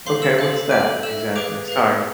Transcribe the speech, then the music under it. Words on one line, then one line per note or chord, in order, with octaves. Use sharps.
Okay, what's that exactly? Sorry.
A4 C5 F5 C6 C7
E6 E7
A4 C5 F5
A4 E5 D6 D7
A4 E5 E6 E7
G#4 B4 F5 D6 D7
G#4 B4 F5